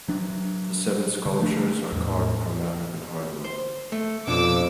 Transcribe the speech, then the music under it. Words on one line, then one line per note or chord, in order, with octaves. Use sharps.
The seven sculptures are carved from African hardwood.
F#3 D4
D3
F3 A3 D4
E2 A2
C5
A3
F2 B2 D4 D6 E6